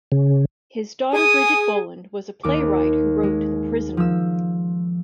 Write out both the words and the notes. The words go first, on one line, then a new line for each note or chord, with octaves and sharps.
His daughter Bridget Boland was a playwright who wrote the "The Prisoner".
C#3
G#4 G#5 D#6
D#2 D6
G#3
F3 E6